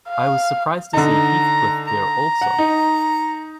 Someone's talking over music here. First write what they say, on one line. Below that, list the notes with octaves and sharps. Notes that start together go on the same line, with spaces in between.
I was surprised to see Heathcliff there also.
F5
D3 D#4 A#5
A#5
F#5
D#4